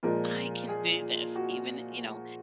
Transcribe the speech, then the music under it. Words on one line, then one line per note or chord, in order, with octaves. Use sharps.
I can do this, even" you know,
A#2 F3 G#3 A#4
G#4
F#4